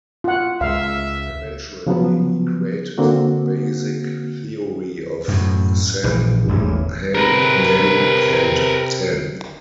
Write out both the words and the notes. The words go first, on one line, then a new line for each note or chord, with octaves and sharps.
Eventually he created the basic theory of "Sen, Un, Hen, Nen" and "Ten".
F4 F#5
C#2 E5 F5
C#3 F3 F#3 B3
D3 A#3 C4 F#4
F#2 A2
A#1 E3
E1 A1 E2
C3 A#4 B4